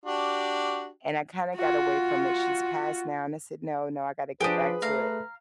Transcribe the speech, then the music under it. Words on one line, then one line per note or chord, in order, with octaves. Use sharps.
and I kinda got away from it, she's passed now. And I said, "No, no, I got to get back to it."
D4 F#4 G4
F4 F#4
F3 D4 G4 G#4 B4 D#6
A3 F5 A#5